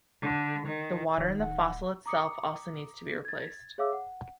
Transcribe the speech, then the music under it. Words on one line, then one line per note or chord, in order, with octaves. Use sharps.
The water in the fossil itself also needs to be replaced.
D3
D#3
D1 D#3 C#5
D1 F#5
A#5 D6 D#6 C#7
G#6 A6
G#4 C#5 E5 F5 D6 E6
F#5